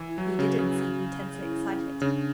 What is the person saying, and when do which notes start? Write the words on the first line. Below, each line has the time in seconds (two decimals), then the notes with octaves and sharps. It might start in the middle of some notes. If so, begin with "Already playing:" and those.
He didn't seem intensely excited.
Already playing: E3
0.09 E4
0.18 F#3 F#4
0.39 C#3
0.59 C#3
1.41 E4
2.01 C#3 D4